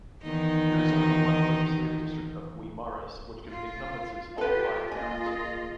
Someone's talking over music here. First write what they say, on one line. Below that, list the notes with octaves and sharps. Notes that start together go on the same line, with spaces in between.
There is only one legislative district of Guimaras which encompasses all five towns.
E2 D#3 D#4
F4
F4 G4 A4 B4
A#3 F4 D#5 G#5
G#4